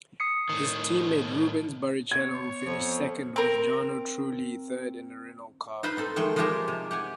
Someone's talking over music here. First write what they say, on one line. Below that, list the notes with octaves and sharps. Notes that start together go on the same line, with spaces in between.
His teammate Rubens Barrichello finished second with Jarno Trulli third in a Renault car.
D#6 C7 C#7
A2 D#3
B3 C#5 G#6
F2 F3 B3
C4 A#4
D#4 F4 B4 C5 B5
C4 D#4 A4
D#3 F3 G#3 A3 G5
F3 G#3 D#4 F4 G4 A#4
C3
G4 F#5 G#5